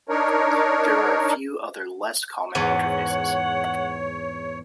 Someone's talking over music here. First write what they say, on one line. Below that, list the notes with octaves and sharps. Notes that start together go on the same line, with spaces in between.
There are a few other less common interfaces.
D4 D#4 A#4 C#5
E2 G#2 B4 C#5 F#5